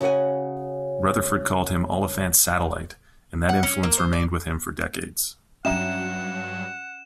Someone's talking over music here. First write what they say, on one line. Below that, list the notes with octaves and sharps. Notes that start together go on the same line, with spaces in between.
Rutherford called him "Oliphant's satellite" and that influence remained with him for decades.
C#3 F#4 A4 F#5 G#5
F#5
C#4
A#3
C5
D5
G2 F#3 C#4 E5 F#5 A#5 E7